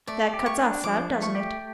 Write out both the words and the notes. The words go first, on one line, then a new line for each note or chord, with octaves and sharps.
"That cuts us out, doesn't it?"
A3 D5
G4
C#6
D4
F3 D6
A3
C#6
G4